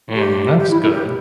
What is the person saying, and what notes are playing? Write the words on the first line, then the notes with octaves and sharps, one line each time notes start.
Mm, that's good.
G4
G4
E4
E4
G4